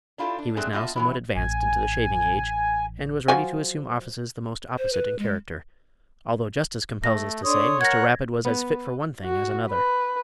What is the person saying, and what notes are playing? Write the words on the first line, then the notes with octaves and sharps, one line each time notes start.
He was now somewhat advanced into the shaving age, and was ready to assume offices the most opposite in character; although justice compels us to say Mr. Rapid was as fit for one thing as another.
D4 E4 F4 G4 A4
D4
F#3 G#3 A3 C4 D4 G#4
B3 D4 F4 D#5 E5 A5
E3 F#3 E4
A1 G#5
F3 F#3 G#5
C5
B4
G#3
A3 A#6
D4 A4 C#5 C6 D#6
A#4 F#5 G#6 A#6
B3
F#4
B4